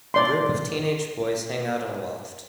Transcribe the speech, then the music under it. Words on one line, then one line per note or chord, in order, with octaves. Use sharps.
A group of teenage boys hang out in a loft.
D5 C6